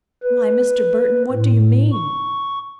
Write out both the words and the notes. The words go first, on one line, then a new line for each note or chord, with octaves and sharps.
Why, Mr. Burton, what do you mean?
B4
A2
C#6